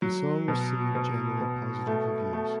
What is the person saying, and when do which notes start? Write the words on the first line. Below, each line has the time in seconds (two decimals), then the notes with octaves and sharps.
The song received generally positive reviews.
0.02 F#3
0.48 B2
0.95 B2
1.41 B2
1.87 A3
2.33 A3